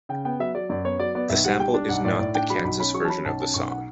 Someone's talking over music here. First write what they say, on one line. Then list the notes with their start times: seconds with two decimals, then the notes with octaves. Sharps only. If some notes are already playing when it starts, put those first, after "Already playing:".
The sample is not the Kansas version of the song.
0.09 C#3 G5
0.25 B3 G5
0.40 F#3 E5
0.55 F#3 D5
0.69 F#2 D5
0.85 B3 C#5
1.00 F#3 D5
1.15 B3 D5
1.30 B1 E5
1.44 G3 F#5
1.59 G3 G5
1.74 D4
1.89 B1 F#5
2.05 A2 D5
2.19 A2 D5
2.35 D4 G5
2.50 F#3 B5
2.64 B1 B5
2.79 C#4 B5
2.94 F#3 C#6
3.05 A5
3.09 C#4 B5
3.25 B1 A5
3.40 C#4 A5
3.54 B1 C#6
3.70 F#5